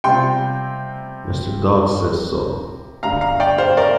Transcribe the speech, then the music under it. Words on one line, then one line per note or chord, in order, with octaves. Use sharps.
Mr. Dodd says so.
C3 G3 C4 F4 G5 C6
G2 D3 G3 F5 A#5
F5 A#5
D5 G5
C5 F5
A#4 D5